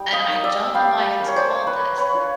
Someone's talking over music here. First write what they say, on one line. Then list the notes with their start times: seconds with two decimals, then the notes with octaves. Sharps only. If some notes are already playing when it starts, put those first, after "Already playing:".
And I don't know why it's called this.
Already playing: G3 D#4 G5
0.13 D#5 F5
0.28 A#3 D#4
0.44 D5 E5
0.74 G3 F5 G5
1.20 A#3 C#4
1.28 C#5
1.36 C5 D5
1.67 A#3 B4 C#5
1.98 B4 C#5
2.14 D4 F4